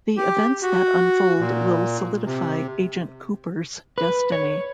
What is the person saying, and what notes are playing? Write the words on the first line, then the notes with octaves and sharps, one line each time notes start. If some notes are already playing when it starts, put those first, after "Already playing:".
The events that unfold will solidify Agent Cooper's destiny.
G4
F#4
A#2
C3
B4
C#5